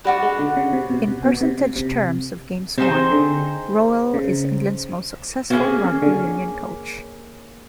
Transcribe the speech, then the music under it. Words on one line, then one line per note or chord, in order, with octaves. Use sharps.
In percentage terms of games won Rowell is England's most successful rugby union coach.
G3 D4 F#4 B4
G#3
D3
C#3
C3
B2
C3
B2
C3
C3
C3 C4 D#4 G#4 C5
D3
C#3
B2 A#3 C#4 E4 G#4
C3
C#3
D3